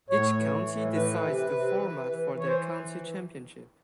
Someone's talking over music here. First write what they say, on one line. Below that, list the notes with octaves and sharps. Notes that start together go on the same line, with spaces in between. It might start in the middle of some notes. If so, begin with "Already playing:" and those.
Each county decides the format for their county championship.
A2 C#5
E3
A2
E3 B4
C3
C3
E3
E3
E3 C#5
C5